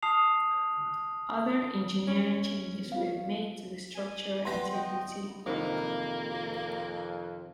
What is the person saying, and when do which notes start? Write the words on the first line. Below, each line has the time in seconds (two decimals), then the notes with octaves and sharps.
Other engineering changes were made to the structural integrity of the car.
0.02 A5 D#6 F6 C7 F7
2.07 C#4
2.92 F4 F5
3.95 G#5
4.45 E3 B3 G4 C6 A#6
4.74 D#5 G5
5.46 F2 C3 D#3 A#3 E4